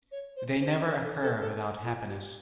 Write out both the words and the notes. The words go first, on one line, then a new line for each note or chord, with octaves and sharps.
They never occur without happiness.
C#5
C5
C5
A#4
A4
A4
A4
F4
G4